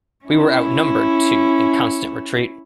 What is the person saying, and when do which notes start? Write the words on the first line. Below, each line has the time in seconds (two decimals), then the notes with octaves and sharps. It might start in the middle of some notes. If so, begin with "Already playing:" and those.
We were outnumbered, too, in constant retreat.
0.25 C#4 E4